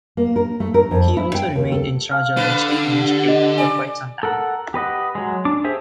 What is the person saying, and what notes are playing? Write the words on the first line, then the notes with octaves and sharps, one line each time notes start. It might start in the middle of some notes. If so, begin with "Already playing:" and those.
He also remained in charge of the Steel Ministry for quite some time.
A#3
A#4
A3
A#4
F2
E4
G5
D#2
A4
F5 A5 F6
D3 B4
G3
D#5
D5 G#5
A4 A#4 F#5
G4 B4 D#5 F#5
F#3 G#3
D4 D6
G4 G#4 C5 E5